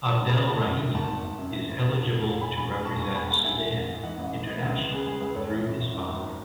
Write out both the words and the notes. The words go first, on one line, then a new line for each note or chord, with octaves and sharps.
Abdel Rahim is eligible to represent Sudan internationally through his father.
D#3 F#5 A5
F#1
G#5 B5
D#3
F#1 F#5 A5
F#2
D#3
G#1 F#5 A5
G#1
G#1
F#2
E3
G#1
D#3
E1
E1
E1
E1 G#5 B5
E1 G#5 B5
E1 G#5 B5
E1 A5 C#6
E1 A5 C#6
E1 G#5 B5
D#2 F#5 A5
E1 E5 G#5
E3
A1
G#2
E3 D#5 F#5
A1
E3
E3 B4 D#5
C#2
C#2
C#3 G#4 B4
C#2 G#4 B4
C#2 G#4 B4
G#1 A4 C#5
E3
F#2
G#1
F#2
G#1